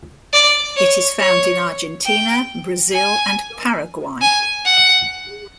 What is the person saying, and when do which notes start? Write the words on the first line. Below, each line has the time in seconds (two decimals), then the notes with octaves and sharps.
It is found in Argentina, Brazil and Paraguay.
0.33 D5
0.76 C#5
1.20 C#5
2.06 G5
2.93 G#5
4.21 G#5
4.65 F#5